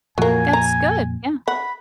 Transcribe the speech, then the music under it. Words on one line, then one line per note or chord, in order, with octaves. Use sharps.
That's good, yeah.
F2 A#2 F3 F#3 A#3 G#5
A#5
F#5 B5